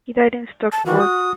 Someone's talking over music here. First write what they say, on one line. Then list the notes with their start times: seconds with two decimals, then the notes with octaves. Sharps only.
He died in Stockport.
0.72 A5
0.86 D#3 E3 F#4
0.99 D#6